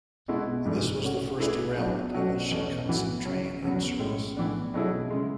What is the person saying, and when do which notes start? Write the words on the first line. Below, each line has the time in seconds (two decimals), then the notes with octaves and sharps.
This was the first derailment of a Shinkansen train in service.
0.28 B2 G#3 B3 E4
0.65 G#2 E3 A3 D4
1.03 A3 C#4 F#4
1.39 A3 E4 G#4 B4 D5
1.77 F#3 B3 D4
2.14 B2 F#3 A3 C#4 F#4
2.51 E2 B2 A3 C#4
2.89 A2 E3 B3 F#4
3.25 C#3 F#3 C#4
3.62 E2 C#3 F#3 B3
4.00 A2 G#3 C#4
4.37 A2 E3 B3 D4
4.74 B2 F#3 A3 E4 G#4
5.10 C#3 G#3